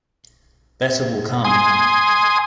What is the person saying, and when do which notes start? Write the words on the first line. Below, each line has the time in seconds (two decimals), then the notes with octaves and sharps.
Better will come.
1.45 G#5 C6 D#6